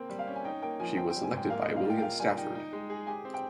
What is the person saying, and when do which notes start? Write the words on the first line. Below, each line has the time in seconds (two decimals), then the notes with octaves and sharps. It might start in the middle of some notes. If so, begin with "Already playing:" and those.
She was selected by William Stafford.
Already playing: A#3 C4 G5
0.10 G3
0.19 F5
0.27 C#4
0.35 G#5
0.44 D#4 G5
0.62 A#3 G5
0.80 F3 G#5
0.97 C4 G5
1.10 G3 G5
1.24 G#5
1.32 G#2 G5
1.50 A#3 F5
1.63 G3 D#5
1.76 F5
1.85 F4 G5
1.98 G5
2.02 A#3 F5
2.19 G3 G#5
2.37 D#4 G5
2.55 D#4
2.73 G#3
2.89 G#4
3.07 G4 G#5
3.25 C4
3.34 G5